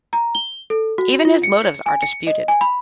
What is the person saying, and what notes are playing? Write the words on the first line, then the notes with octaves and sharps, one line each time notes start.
Even his motives are disputed.
A#5
G7
A4
F#4
F4
C#7
G#5
C#7
D#5
G#5
B5